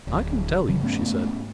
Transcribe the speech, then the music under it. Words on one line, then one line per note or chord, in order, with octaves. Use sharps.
"I can tell you," she said.
D1
C#3 E3 F#3 G3
G#2 A3 B3 C#4